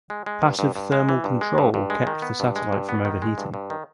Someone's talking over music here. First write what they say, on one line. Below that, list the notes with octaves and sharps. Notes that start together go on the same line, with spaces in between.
Passive thermal control kept the satellite from overheating.
G#3
G#3
G2
G2
G2
G#3
E3
G2
G#3
G2
G2
G#3
D#3
B3
G2
G#3
G2
B3
D#3
G#3
G2
G2
D#3